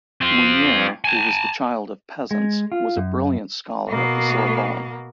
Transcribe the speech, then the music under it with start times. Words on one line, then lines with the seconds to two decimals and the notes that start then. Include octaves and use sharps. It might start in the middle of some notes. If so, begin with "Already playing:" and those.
Mounier, who was the child of peasants, was a brilliant scholar at the Sorbonne.
0.21 C4 F4
1.04 G#5 A5
2.31 G#3
2.72 F4
2.97 F#2
3.89 B2 A#3